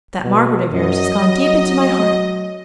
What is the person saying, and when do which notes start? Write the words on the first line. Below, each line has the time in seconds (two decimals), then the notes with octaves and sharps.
'That Margaret of yours has gone deep into my heart.
0.24 B2
0.71 F#2 D#5
1.20 F#3